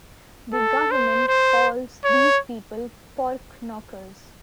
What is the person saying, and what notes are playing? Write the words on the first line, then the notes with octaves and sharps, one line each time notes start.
The government calls these people porknokkers.
A4
C5
C5
C#5